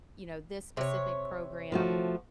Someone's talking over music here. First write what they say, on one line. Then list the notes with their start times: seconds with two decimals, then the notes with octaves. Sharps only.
you know, "this specific program
0.77 C3 C#5
1.72 F3 A3 F#4